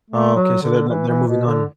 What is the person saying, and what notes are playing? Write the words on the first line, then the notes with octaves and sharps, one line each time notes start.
Okay, so they're n they're moving on.
A3
F#3
D3
E3
E3
B2
D3